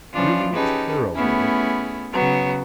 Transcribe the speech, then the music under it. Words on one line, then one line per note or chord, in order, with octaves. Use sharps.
Really terrible.
E3 F3 C#4 D4 F4
C#4 D#4 G4 G#4 B4 A5
A3 B3 C#4 E4 G#4
C#3 F#3 B3